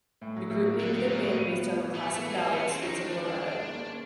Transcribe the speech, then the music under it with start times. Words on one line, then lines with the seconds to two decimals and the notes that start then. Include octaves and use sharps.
The group named their band based on the classic ballad Streets of Laredo.
0.21 A2
0.36 F#3
0.51 A2
0.66 A#3
0.80 D3 F#3
0.94 D#3 F#3
1.08 E3 A#3
1.23 A2 D#3
1.38 G3
1.52 B3
1.66 G3
1.81 E3
1.96 A3 B3
2.10 A3 B3
2.25 G3
2.34 A#3
2.39 G3
2.53 G#3 B3
2.69 C4 C#4
2.82 D#3 D#4
2.97 D#3 D4
3.12 D#3
3.26 G#3
3.41 D#3
3.55 G#3
3.69 A#3
3.85 C#4